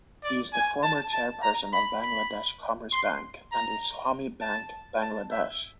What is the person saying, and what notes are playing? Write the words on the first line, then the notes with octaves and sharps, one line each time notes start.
He is the former chairperson of Bangladesh Commerce Bank and Islami Bank Bangladesh.
D5
G#5
A5
A5
A#5
B5
B5
C6
A#5
A5
A5
E5